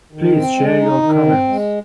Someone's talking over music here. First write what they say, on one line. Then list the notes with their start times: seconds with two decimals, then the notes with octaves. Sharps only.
Please share your comments.
0.12 D#3
0.34 C4
0.57 G#3
0.80 D#4
1.03 D#3
1.26 C4
1.49 G#3